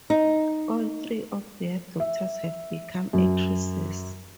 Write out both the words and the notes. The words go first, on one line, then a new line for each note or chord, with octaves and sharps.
All three of their daughters have become actresses.
D#4
E5
F#2